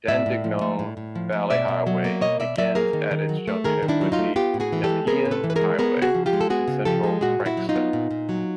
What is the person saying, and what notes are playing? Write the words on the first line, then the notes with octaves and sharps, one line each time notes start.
Dandenong Valley Highway begins at its junction with the Nepean Highway, in central Frankston.
A2 D5 E5
A2
F3
A3
A2
A2
F3
A3
B2 D5 E5
B2
F#3
A#3
B2 C#5 D#5
B2 D5 E5
F#3 D5 E5
A#3 G#4 A#4
D#3
D#3
F#3
A3
D#3 G#4 A#4
D#3
D4 E4
F#3
D#4 F4
A3
B3 F4 G4
A2
F#4 G#4
E3
G4 A4
G#3
B3 G#4 A#4
A2
A4 B4
E3
B4
G#4 A#4
G#3
B3 G#4 A#4
C#3
F#4 G#4
F3
F4 G4
G#3
A4
B3 F#4 G#4
C#3
F3 G4 A4
G#3
A#2 F#4 G#4
A#2
E4 F#4
F#3
D#4 F4
B3
A#2
A#2
F#3